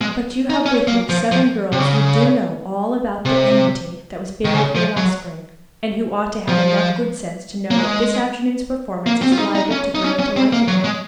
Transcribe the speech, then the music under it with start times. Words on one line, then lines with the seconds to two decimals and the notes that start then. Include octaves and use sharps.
But you have with you seven girls who do know all about the enmity that was buried here last spring, and who ought to have enough good sense to know that this afternoon's performance is liable to bring it to life again.
0.01 G#3
0.50 D#4
0.66 C#4
0.88 A#3
1.09 F3
1.32 F3
1.72 C3
1.80 C#3
3.25 C3
4.45 D#3
4.55 C#3
4.75 F3
4.97 F#3
6.49 F3
7.71 A#3
7.78 G#3
9.06 A#3
9.23 C4
9.32 F4
9.39 D#4
9.55 D#4
9.71 C#4
9.95 D#4
10.04 C#4
10.20 C#4
10.36 C4
10.53 A#3
10.68 F#3
10.84 G#3